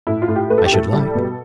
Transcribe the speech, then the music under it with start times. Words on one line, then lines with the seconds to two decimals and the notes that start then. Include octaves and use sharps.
"I should like."
0.07 A2 E4
0.22 F4
0.28 A2
0.36 G4
0.50 A3 B4
0.58 A4
0.65 G4
0.72 A2 A4
0.93 G3
1.15 B2